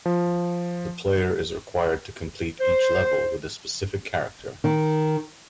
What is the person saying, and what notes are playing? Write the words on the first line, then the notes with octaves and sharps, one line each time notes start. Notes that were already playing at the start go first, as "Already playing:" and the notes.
The player is required to complete each level with a specific character.
F3
C5
D#3